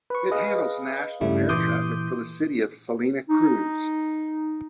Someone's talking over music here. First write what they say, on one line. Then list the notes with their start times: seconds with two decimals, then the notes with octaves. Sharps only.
It handles national air traffic for the city of Salina Cruz.
0.10 B4 C#6
0.31 G#4 B4 D#5 F5
1.21 G2 C#3 G3 A3 E4
1.49 A#2 E3 C6 D6 D#6 G6
3.29 D#4